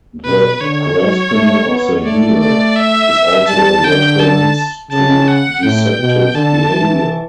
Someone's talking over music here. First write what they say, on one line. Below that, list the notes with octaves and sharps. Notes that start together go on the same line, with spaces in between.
The "grasping of the heel" is also a reference to deceptive behavior.
B2 B4
D3 C#5
F#3
A3
B3
A3 D5
D5
E5
G3 A5
D3 G5
A5
C#3 A5
F#5
A2 G5
B2
D3 A5
E3